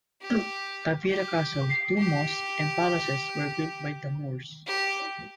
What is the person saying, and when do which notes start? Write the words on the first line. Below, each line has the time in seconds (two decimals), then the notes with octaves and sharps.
Tavira Castle, two mosques and palaces were built by the Moors.
0.21 G4
1.09 G4
1.98 G4
4.66 G4